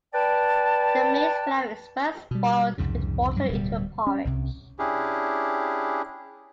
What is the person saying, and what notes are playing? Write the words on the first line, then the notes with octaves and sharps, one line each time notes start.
The maize flour is first boiled with water into a porridge.
B4 D5 G5 A5
B2 G3
C2 F2 G#2 C#3
D2 G2 F#3
D1 B2 G3
C#4
C2 C3
C#4 D4 E4 G4 G#4